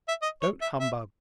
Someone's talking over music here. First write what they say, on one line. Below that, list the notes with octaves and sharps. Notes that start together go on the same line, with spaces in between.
'Don't humbug!
E5
D#5
C#5
E5
E5